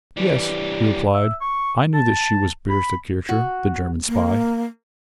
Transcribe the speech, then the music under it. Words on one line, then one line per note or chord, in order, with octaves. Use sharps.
"Yes," he replied, "I knew that she was Bertha Kircher, the German spy?"
E3 G3
E5
C#6
A5
B5
F#4
A#3